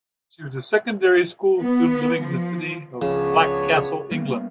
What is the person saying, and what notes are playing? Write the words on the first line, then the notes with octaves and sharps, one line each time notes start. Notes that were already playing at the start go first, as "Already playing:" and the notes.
She was a secondary school student living in the city of Blackcastle, England.
B3
F3
C#2 C#3 F3 B3 D4 C#5
G3 A#3 B3